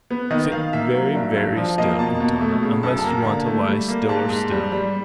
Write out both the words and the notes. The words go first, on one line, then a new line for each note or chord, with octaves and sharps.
Sit very, very still, Quintana,--unless you want to lie stiller still....
B3
D#3 D#5
D#3 F5
A#3 E5
F#3
G2
G2
F3
A#3 D#5
B2 A5
B2
A3
C#3
F#2 A5
A5
A#3 A#5
D3 A5
A3
G3
A#3
G#2 A5
G#2
G3
G3